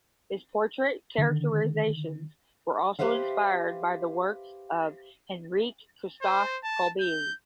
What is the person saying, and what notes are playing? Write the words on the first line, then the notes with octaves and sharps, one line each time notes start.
His portrait characterizations were also inspired by the works of Heinrich Christoph Kolbe.
D3 D#3
G4 B4 C5 E5 F5
C5
A5
G6